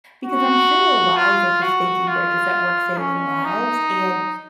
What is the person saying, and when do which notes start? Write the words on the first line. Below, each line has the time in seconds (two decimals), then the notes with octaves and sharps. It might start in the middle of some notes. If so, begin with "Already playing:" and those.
because I'm sure their wives are just thinking they're just at work saving lives, and,
0.25 F#4
1.17 F4
1.62 F#4
2.07 F4
2.98 C#4
3.45 D#4